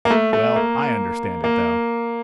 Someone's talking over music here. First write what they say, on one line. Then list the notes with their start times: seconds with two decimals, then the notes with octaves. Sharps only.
Well, I understand it, though.
0.05 A#3
0.10 A3
0.33 A3
0.56 A#3
1.44 A#3